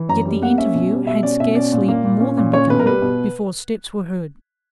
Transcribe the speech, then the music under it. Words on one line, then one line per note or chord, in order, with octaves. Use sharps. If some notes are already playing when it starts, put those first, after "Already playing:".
Yet the interview had scarcely more than begun before steps were heard.
Already playing: E3
F#2 A#5
G3
A#3 F#5
C#4 E5
B2
G3
B2 E5
C#4 D5
B2 E5
C#4 D5
A#2
A#3
A#2
C#4
A#2
C#4 C#5
B2 B4
A#4
G3 B4
B2